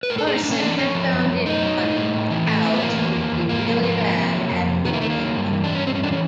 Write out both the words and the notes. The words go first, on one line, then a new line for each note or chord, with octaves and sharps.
Larson had found it funny that cows would be really bad at toolmaking.
B4
A2 A#4
A4
A2 G#4
D#4
A2 D4
C#4
E3 D4
F3 C#4
F3
F#2
F#2
A2 D#4
F#3
A2
A2
A2
E3
A2 A3
A2 C4
B3
E3 A#3
E2
E2
E2
G#2 A#3
F3
G#2 A#3
F3
C3
F#3
F2
C3
D#3 B3
A#3
D#3 A3
A#3
F#3
G2
E3
D4
G2
C#4
G2 C4
C#4
E3 D4
C#4